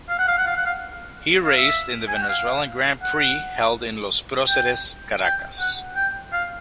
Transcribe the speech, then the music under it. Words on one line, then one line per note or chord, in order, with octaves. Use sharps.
He raced in the Venezuelan Grand Prix held in Los Proceres, Caracas.
F5
F#5
F5
F#5
F5
F#5
F5
F5
E5
G#5
G5
F#5
F5
F#5
G5
G5
F#5
G5
F5